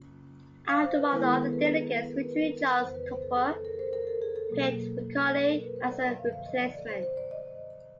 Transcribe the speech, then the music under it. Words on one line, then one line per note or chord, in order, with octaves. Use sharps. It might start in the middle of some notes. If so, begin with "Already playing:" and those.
After one of the other delegates withdrew Charles Tupper picked McCully as a replacement.
Already playing: C#3 F#3 A#3 C#4 F4
F5
C5
B4
D#3 G#3 B3 E4 A#4
G#4
A4
B4
G#4
A#4
B4
A#4
F2 C#3 E3 C5
B4
C5
A4
G#4
A4
A#4
C5
A#4
A4
G#4
A4
B2 F#3 A#3
A4
A#4
B4
C5
D5
E5
F#2 D3 F3 F5
F5
D#5
D5
D5
C5
C5
D5
D#5